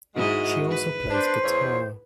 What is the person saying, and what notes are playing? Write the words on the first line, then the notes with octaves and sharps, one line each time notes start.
She also plays guitar.
G#2 D#3 G#3 E4 F#4 D#5
B4
D4 C5
E2 C#5